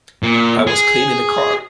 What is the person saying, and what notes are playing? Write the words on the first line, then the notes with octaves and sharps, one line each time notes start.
I was cleaning the car.
A#2
G#4